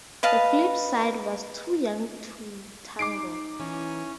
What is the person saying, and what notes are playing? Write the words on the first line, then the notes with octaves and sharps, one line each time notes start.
The flip side was Too Young to Tango.
B4 D#5 F5 A5
D#4 D6 C7 D7
E3 C#4